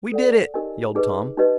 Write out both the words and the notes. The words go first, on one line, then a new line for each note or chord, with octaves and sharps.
"We did it!" yelled Tom.
A4 D5 F#5
D#4 G4 A#4 D#5 G#5
D#4 G#4 B4 D#5
D#4 G4 B4 D#5